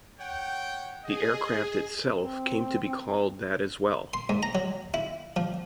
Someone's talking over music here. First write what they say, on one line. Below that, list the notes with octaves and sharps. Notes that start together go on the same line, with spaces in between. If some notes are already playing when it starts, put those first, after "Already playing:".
The aircraft itself came to be called that as well.
C#5 F#5 G5
G#4 D#5
C4
C6
G#2
A#5
F#3
E4
F3